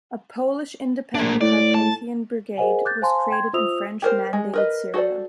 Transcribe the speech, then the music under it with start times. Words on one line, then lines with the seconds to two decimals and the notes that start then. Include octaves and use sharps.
A Polish Independent Carpathian Brigade was created in French-mandated Syria.
1.15 A#3 D4
1.41 A2 D5
1.75 A5
2.58 G#4 A#4 C5 D#5 F#5 G#5
2.85 D6 F#6 G6 A6
3.02 C5 F5 G#5 A5 C6
3.30 G5 C6 G#6
3.54 F4 C5 E5 D#6 E6 F7
4.02 G4 A#4 C5
4.33 G#3
4.54 A#4 B4 D#5
4.94 F#4 A4 C5 D5